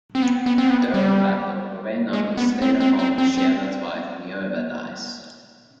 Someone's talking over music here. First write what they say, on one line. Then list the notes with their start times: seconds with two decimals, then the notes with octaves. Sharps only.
During the battle, Rowena, who has stayed at home with Sieben's wife Niobe, dies.
0.15 C4
0.22 B3
0.46 B3
0.58 C4
0.70 B3
0.94 G3
2.13 G#3
2.37 B3
2.62 C4
2.80 C4
2.99 C4
3.18 C4
3.37 C4